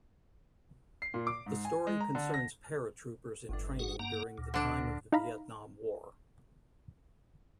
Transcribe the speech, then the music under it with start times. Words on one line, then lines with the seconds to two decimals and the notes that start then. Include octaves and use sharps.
The story concerns paratroopers in training during the time of the Vietnam war.
1.02 C7
1.14 A#2
1.27 D6
1.46 G#2
1.65 G#5
1.87 G#3
2.01 A#5
2.15 D3
2.34 A#6
3.49 G1 A2 D4
3.79 F#4 G#4 F#5
3.99 G2 A#3 F#5 A#5
4.38 D2 A#2
4.54 D3 D4
5.12 D#4 E4 F5 A#5 B5